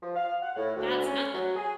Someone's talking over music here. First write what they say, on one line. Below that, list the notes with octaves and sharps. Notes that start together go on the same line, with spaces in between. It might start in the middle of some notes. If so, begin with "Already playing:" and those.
That's nothing.
F3
F5
F#5
A2
D2
C#4
F#3
G#4